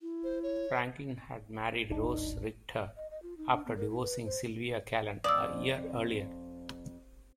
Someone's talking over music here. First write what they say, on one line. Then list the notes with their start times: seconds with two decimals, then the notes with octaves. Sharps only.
Franklin had married Rose Richter after divorcing Sylvia Calen a year earlier.
0.01 E4
0.24 C5
0.43 C#5
1.89 D1 G#1 D4 D#4
2.96 D#5
3.11 D#5
3.23 F4
3.38 D#4
3.52 D4
3.66 B3
3.77 A#4
3.90 E4
4.02 B4
4.25 C5
5.24 F2 D5 D#6 E6